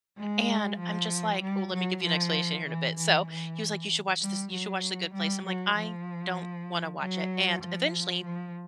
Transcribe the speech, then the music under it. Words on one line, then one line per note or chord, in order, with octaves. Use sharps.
And I'm just like ooh, let me give you an explanation here in a bit. So, he was like, "You should watch this you should watch The Good Place." I'm like, "I don't wanna watch it." And eventually,
G#3
F3
G3
F#3
F3
E3
E3
E3
G3
F#3
G3
F#3
F3
F#3
F3
F3